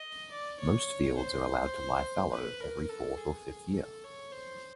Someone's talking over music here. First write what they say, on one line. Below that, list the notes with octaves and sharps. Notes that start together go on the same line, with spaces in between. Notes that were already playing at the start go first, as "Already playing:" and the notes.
Most fields are allowed to lie fallow every fourth or fifth year.
Already playing: D#5
D5
C#5
C5
B4
A#4
A4
G#4
A4
C#5
C5